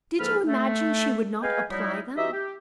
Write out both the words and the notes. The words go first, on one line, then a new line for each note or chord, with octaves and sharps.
Did you imagine she would not apply them?
G#2 F3 A#3 A4 B4 F6
A3
G#4 B4 D#5 F5 G5 G#5
F#3 G3 D#4 E4
E3 D#4 F#4 G4 D#5 E5
G4